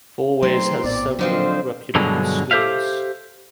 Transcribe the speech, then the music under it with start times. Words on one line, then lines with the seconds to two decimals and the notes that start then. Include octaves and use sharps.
Fourways has several reputable schools.
0.43 G2 F#3 A3 C4 D#4 C6
0.84 A#1 A2 B3 D5
1.19 D3 F3 F#3 C4 D#4 A#4 C5
1.95 G2 B2 D3 F#3 G#3
2.51 G4 A4 C5 E5 F5